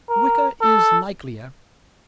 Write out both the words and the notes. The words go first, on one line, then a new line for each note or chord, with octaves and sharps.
"Wicker IS likelier."
A#4
A4